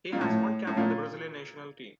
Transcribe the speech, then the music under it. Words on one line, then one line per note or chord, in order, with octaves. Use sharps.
He has one cap with the Brazilian national team.
A#2
A2
A2
A#2